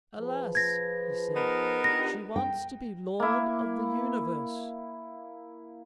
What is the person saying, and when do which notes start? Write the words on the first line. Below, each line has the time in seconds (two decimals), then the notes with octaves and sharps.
"Alas," he said, "she wants to be Lord of the Universe."
0.19 F3 G#4 B4
0.55 G#6 A#6
1.35 B3 D#4 A#4
1.84 D4 F4 G4 A#6
2.36 G5
3.20 A#3 E4